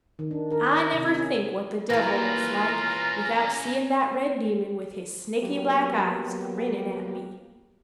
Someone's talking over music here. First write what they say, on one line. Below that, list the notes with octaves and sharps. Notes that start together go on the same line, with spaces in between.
I never think what the devil looks like without seein' that red demon with his snaky black eyes, grinnin' at me!
D#3
D4
A#4
D#5
C3
C#4
E3 A#3 C#4 F4 B4 A#5
F#3 A#3 B3 G4